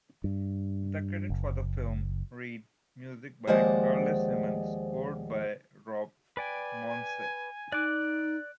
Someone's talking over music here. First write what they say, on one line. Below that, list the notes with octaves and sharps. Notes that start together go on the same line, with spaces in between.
The credits for the film read "music by Carly Simon, scored by Rob Mounsey".
G2
F#1
D#2 F3 G#3 C5 D5 F#5
B4 D5 G5 G#5
D#4 D5 D6 F#6